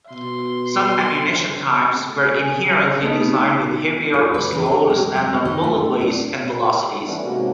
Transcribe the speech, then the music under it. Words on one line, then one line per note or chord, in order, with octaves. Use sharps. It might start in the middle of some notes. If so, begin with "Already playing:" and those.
Some ammunition types were inherently designed with heavier, slower standard bullet weights and velocities.
B2 C6
A3
G#4
A3 B3 D#4
F4
B4
E3
G4
G#3
G#3
D#3
A3
D4
A2 A4
E3 G3 A3 B3 C#4 D4
G#2 C3 A#3 C#4 F#4